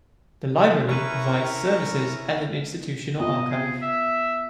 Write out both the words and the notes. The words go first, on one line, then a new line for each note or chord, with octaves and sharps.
The library provides services as an institutional archive.
C#4 E4 A#4 B4 A#5 C#6
B3 F4 D#5
G#4
E5